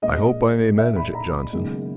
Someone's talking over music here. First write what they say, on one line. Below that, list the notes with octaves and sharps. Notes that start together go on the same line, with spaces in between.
"I hope I may manage it, Johnson."
A#1 A#2 G#3 D#5
E5
B5
A#5
F#1 F#2 D#3 G#3 B3